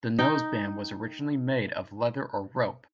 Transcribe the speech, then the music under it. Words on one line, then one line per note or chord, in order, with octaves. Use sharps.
The noseband was originally made of leather or rope.
D#4 G5